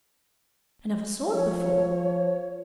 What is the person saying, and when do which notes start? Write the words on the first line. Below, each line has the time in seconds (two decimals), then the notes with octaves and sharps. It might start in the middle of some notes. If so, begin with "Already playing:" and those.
I never saw it before.
1.33 F3 C#5